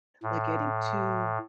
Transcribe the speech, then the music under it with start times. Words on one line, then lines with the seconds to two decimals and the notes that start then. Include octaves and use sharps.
like, getting too
0.23 A2